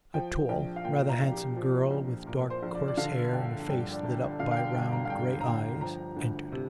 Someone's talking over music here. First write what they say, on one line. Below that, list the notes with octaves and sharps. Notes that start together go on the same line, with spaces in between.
A tall, rather handsome girl, with dark coarse hair and a face lit up by round grey eyes, entered.
F3 G5
A#1 G5
F5
A#2 G5
A#5
A#1
G4
F3 G4
A#1
A#2 A#4
C5
A#1
D5
D5
D3 F5
G1 G5
G2 G5
D5
G1
D3 F5
F5
G5
G1 G5
A#5
F5
G2 G5
A#5
G1 G5
F3 A#5
D2
C3